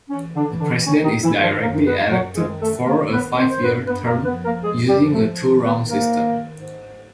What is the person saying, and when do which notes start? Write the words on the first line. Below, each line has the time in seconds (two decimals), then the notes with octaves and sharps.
The President is directly elected for a five-year term using a two-round system.
0.09 E3 C#4
0.35 D3 D4
0.48 E3
0.60 D3 D4
0.85 D#3 C#4
1.03 D#3 D#4
1.22 D#3 E3 E4
1.42 F3 F4
1.61 F#2 A#3 A#4
1.86 B3 B4
1.98 F#2
2.11 F#3 F#4
2.36 D#3 G#3 G#4
2.61 A3 A4
2.74 D#3
2.86 A#3 A#4
3.11 D#3 B3 B4
3.37 C4 C5
3.49 G2 C5
3.62 B3 B4
3.87 F#2 B3 B4
4.06 A#3 A#4
4.25 F3 B3 B4
4.44 A#3 A#4
4.63 F#2 G#3 G#4
4.89 G3 G4
5.01 F3
5.14 A3 A4
5.39 D#3
5.63 B3 B4
5.77 G#2
5.89 A#3 A#4
6.14 D#3
6.52 G#2